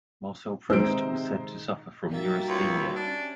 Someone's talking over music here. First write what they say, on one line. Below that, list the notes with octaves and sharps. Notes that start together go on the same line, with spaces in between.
Marcel Proust was said to suffer from neurasthenia.
C3 G#3 D#4 C5 E6 D7
G3 A#3 D#4 F#4 E5 A6
C#2
C#4 D4